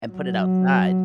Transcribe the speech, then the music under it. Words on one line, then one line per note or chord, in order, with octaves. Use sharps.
and put it outside,
F#3